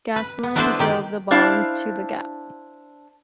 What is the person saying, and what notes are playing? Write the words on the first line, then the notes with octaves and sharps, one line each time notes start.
Goslin drove the ball into the gap.
B4
B3
B3 D4 E4 A4 B4 C5
D#3 G4 D5
D4 E4 C5 F5